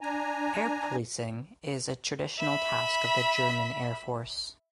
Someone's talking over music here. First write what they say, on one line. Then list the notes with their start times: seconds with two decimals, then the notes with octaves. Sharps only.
Air policing is a traditional task of the German Air Force.
0.01 D4 G#5 A#5
2.39 E5 B5